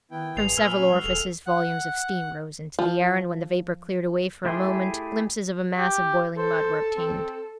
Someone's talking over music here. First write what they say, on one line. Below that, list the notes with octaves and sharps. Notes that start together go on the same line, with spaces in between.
From several orifices volumes of steam rose into the air, and when the vapor cleared away for a moment glimpses of a mass of boiling mud were obtained.
D#3 B3 E4 G5
G#1 G#4 B4 C6 C7 F7
A#2 G#5 B5 E6 F6 F7
C#4
G3 F#4 B4
E1 G#4 A4 F7
F#5
F3
A3 E4 G4 G#4 C6
G4
A4 C5
C4